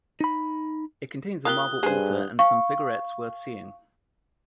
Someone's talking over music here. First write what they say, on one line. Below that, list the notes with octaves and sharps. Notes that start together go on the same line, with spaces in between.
It contains a marble altar and some figurettes worth seeing.
D#4 B5
A#3 F4 G4 D#6 F#6 G7
G2 G#3 G#4 C5
F5 C#6